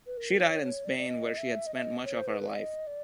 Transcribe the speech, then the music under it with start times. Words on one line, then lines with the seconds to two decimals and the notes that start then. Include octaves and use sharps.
She died in Spain where she had spent much of her life.
0.07 B4
0.17 A#4
0.40 C#5
0.63 C#5
0.85 D5
0.98 D5
1.07 D#5
1.37 E5
1.67 D#5
1.75 E5
1.83 D#5
2.05 C#5
2.15 C5
2.27 B4
2.50 D5
2.56 D#5
2.87 D5